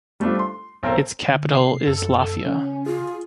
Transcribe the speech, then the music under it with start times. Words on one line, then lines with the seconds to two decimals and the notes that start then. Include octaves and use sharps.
Its capital is Lafia.
0.20 G3 A3 C4 D4 F4
0.39 C6
0.83 B1 C4 A4 A#4 C5 C6
1.27 D3
1.55 C3 C7
1.87 F#2 A4
2.46 C#3 C#4
2.86 F4 G#4